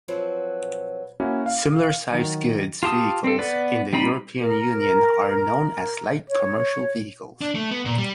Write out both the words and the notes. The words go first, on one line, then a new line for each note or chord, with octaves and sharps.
Similar sized goods vehicles in the European Union are known as light commercial vehicles.
F3 F#3 C4 B4
A#3 C#4 E4 F#4
F5
D#3 F#3
F4 G4 A5 D#6
C4 A4
B3 B4 D5
G3 C4 D#4 B5
A#4
C#5
D4
A3
B3
A#2
G3